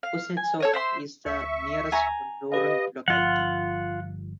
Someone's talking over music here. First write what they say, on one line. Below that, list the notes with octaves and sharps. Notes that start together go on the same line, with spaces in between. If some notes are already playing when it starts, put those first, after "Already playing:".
Kuznetsov is the nearest rural locality.
F5
G#5
A4 C#5 D#5
C5 E5 C6
D2 E5 C#6
G#5 A#5
G4 B4 D#5 F5
G1 F3 F4 F#5